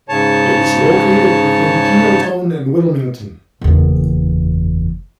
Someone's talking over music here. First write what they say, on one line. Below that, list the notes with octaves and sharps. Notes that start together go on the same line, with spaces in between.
It is located between Peotone and Wilmington.
G#2 C#3 C#5 A5
F#1 E2